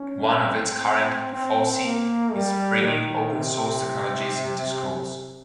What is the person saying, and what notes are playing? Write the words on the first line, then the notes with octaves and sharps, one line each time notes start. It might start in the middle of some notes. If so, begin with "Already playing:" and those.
One of its current foci is bringing Open Source technologies into schools.
Already playing: C#4
C4
C4
A#3
G3
D#3
C3